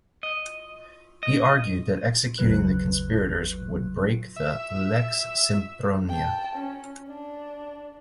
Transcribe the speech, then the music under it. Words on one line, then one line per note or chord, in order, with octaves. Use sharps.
He argued that executing the conspirators would break the "lex Sempronia".
D#5
D#5
G#1 D#2 C#3 F#3 B4 F#6
E5
G5 A5
C#4
D4